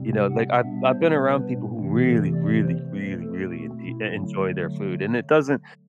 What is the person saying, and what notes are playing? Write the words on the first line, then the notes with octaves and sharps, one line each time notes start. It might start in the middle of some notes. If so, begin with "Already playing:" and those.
you know? Like, I've I've been around people who really, really, really, really enpe e enjoy their food, and it doesn't
Already playing: C3 G3 C4
F#5
B2 G3 B3 D4 E5
C5
B4
C3 E3 A3 C4
A4
D5
C5
B2 A3 C4 B4
A4
F#4
E4
D3 F#3 A3